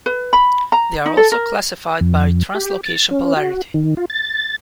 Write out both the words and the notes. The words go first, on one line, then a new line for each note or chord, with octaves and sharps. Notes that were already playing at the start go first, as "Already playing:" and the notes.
They are also classified by translocation polarity.
B4
B5
A#5
D#4
A4
A#4
F2
G4
A6
C#4
F#4
D#3
F4
A6